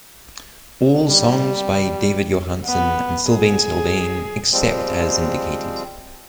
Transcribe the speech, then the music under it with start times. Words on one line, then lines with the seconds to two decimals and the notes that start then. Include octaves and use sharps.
All songs by David Johansen and Sylvain Sylvain except as indicated.
1.08 G3
1.72 G3
2.66 B3
3.30 G#4
4.53 F3 G3 G#3 C4